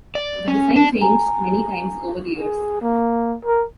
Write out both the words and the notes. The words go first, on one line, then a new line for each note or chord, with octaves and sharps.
The design changed many times over the years.
D5
C#4
D4
G#5 A#5
G#4
A#3
A#4